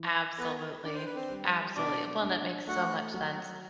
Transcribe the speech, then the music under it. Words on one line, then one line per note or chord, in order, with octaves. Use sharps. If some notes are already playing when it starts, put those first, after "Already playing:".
absolutely, absolutely well, and that makes so much sense.
Already playing: E3
B3 A4 B4
D4 D5
C5
B4
C4 C5
G3
B2 D4 D5
D4
A3 F#4 F#5
F#3